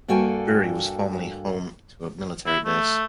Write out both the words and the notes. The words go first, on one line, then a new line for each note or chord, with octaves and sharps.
Drury was formerly home to a military base.
G2 A#3 F#4 A4 G5 G#5
E4
A3